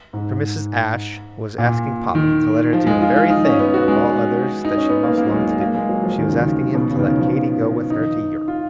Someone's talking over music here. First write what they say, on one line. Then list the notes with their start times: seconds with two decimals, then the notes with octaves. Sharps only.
For Mrs. Ashe was asking papa to let her do the very thing of all others that she most longed to do; she was asking him to let Katy go with her to Europe!
0.13 G#2
1.58 A#2
2.15 D#3
2.73 F3
2.87 G#3
3.01 F4
3.16 F4
3.30 D#4
3.45 C#4
3.59 B3
3.74 F#4
3.88 G#3
4.65 D#4
4.77 C#4
4.90 B3
5.03 A#3
5.18 A#3
5.27 F#3
5.31 G#3
5.47 F#3
5.60 A#3
5.75 G#3
5.89 F#3
6.04 F3
6.18 D#3
6.28 C#3
6.39 D#3
6.75 B2
6.90 C#3
6.99 D#3
7.04 C#3
7.19 F3
7.90 D#4
8.48 F4